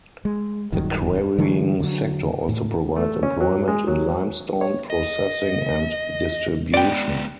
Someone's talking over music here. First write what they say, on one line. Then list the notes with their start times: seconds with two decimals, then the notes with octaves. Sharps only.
The quarrying sector also provides employment in limestone processing and distribution.
0.25 G#3
0.72 D#1 G2 D#3 F#3
1.38 D3 E3 F#3 G#3
1.80 D3 F#3
2.49 A2
2.96 A3
3.23 C#4
3.40 F#3
3.68 G#3
3.87 F#3
4.61 C#5
4.90 D#5
6.74 G#3 B3 D5 G5